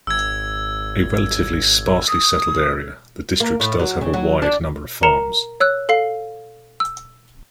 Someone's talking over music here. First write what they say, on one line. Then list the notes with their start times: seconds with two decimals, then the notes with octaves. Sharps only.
A relatively sparsely settled area, the District does have a wide number of farms.
0.07 G#1 E6 G#6
2.08 D#6
3.40 A#3
3.60 A2
3.79 F#3
4.01 C#3
4.13 F#3
4.42 D4
5.03 A#4 A#5 C#7 E7
5.60 C#5 E6 F#6
5.89 A4 F5 C7
6.80 E6